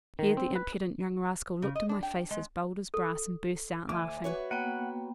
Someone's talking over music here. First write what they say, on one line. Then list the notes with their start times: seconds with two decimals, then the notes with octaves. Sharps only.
Here the impudent young rascal looked in my face as bold as brass and burst out laughing.
0.19 D#3
0.37 C4
0.56 B4
1.62 C#3
1.75 D#5
1.89 D4
2.03 G5
2.31 G#3
2.94 A4
3.89 D2 E5 G#5 D6
4.24 F#4 B4 C#5
4.51 A#3 B3 F#5 G5